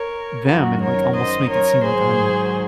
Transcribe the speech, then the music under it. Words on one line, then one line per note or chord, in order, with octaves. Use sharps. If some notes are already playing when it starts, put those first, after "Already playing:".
them," and, like, almost make it seem like I'm
Already playing: A#4 C#5
F#2 D#3 F#3 F#4 A#4
A#4 C#5
C5 D#5
A#4 C#5
G#2 D#3 F#3 G#4 C5